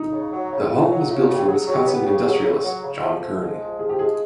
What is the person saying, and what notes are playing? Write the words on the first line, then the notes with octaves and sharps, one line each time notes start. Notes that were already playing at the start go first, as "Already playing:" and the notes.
The home was built for Wisconsin Industrialist John Kern.
Already playing: D#4
C#3
F#3
C#3
C#3 F4
F#3
C#3 F4
F#4
C#3
G4
F#3 G#4
F#3
G4
B3
G4
C#3
G4
F#3 G#4
C#3
F#3
C#3
F3
F3
G#3
F3
F3 G#4
G4
G#3 G#4